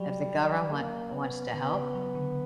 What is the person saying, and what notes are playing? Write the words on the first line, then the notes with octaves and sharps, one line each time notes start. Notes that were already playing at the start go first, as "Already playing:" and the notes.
If the govern want wants to help,
Already playing: F#3 G3
A#3
B3
D3 B3
C#3
F#3
D3